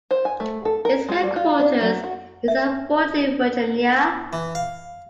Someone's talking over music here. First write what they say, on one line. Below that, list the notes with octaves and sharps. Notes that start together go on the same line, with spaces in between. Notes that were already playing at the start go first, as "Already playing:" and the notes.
Its headquarters is at Fort Lee, Virginia.
C5
G#5
A3
A4
A#4
G#3
G3
F4
D4
F#3
F#4
E5
E3
F5